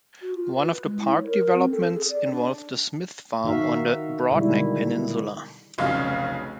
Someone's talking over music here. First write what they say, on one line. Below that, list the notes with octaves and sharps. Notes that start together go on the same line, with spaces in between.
One of the park developments involved the Smith Farm on the Broadneck Peninsula.
F#4
F4
B4
G#3
E4
C#5
A#4
C4
A4
G#4
D5
D4
D#3 D#4 F#4 E5 F5
B2 D3 D#3 G3 G#3 E4
F1 B1 C#3 F5